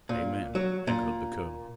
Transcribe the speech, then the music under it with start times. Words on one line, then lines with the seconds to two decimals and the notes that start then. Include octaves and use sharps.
"Amen!" echoed the colonel.
0.09 A#2
0.55 F#3
0.87 A#2